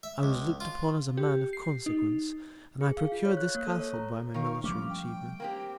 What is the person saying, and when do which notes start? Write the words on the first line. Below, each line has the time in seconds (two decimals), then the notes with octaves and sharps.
I was look'd upon as a Man of Consequence, and I procur'd this Castle by my military Atchievements.
0.03 E5
0.23 C#2
0.60 F4
1.17 G4
1.53 C7
1.86 D#4
2.81 G#4
2.97 F5
3.12 F4
3.25 C#5
3.37 F#6
3.55 A#3
3.66 A4
3.80 C#5
3.94 A#5
4.34 D#3 A#4 C#5 F5
4.64 F3 G3 A3 C#4 D6
4.89 G5
5.40 A#3 C4 G4